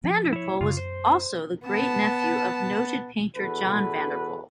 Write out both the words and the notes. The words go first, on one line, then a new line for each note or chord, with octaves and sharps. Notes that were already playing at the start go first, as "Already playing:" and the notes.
Vanderpoel was also the great nephew of noted painter John Vanderpoel.
F3
E4 C#5
F#2 C#3 F4
C5
B3 A5
E2 F#4 A4 B4